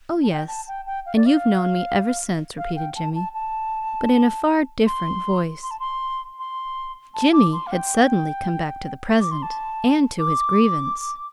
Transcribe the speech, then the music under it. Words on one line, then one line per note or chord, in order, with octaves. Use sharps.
"Oh, yes--and you've known me ever since," repeated Jimmy--but in a far different voice: Jimmy had suddenly come back to the present, and to his grievance.
A5
G5
A5
G5
G5
F5
D5
F5
F5
G5
A5
A5
A5
C6
C6
A5
C6
C6
A5
D6
C6
F5
G5
D6
C6
A5
D6